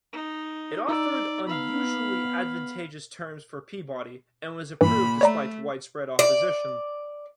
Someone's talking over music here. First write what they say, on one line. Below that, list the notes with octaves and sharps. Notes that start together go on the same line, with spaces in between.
It offered unusually advantageous terms for Peabody and was approved despite widespread opposition.
D#4
D#4 D5 A#5 E6
B3 F5 B5
G2 A#2 E3 B5
A3 C#5 D5 A#5
D5